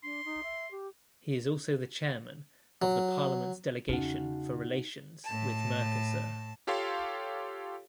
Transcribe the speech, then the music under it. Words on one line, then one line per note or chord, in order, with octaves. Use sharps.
He is also the chairman of the parliament's delegation for relations with Mercosur.
D4 C6
D#4
E5
G4
F#3
E2 C#3 D#4 F#4 F#5
A2 A5
F4 G4 A4 C#5 F5 C6